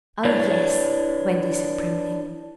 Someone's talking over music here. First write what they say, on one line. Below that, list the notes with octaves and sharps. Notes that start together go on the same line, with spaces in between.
'Oh yes,' Wendy said primly.
D4 E4 G4 B4 C#5 D5